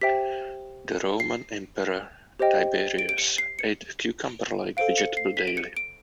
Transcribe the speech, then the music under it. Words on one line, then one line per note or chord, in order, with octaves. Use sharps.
The Roman emperor Tiberius ate a cucumber-like vegetable daily.
G4 C5 E5 G5 B6
C7
G4 C5 D#5 G5
D7
D7
C#7
C7
C#7
A4 C5 F5 D7
C#7
C7
B6
D7
C#7
D7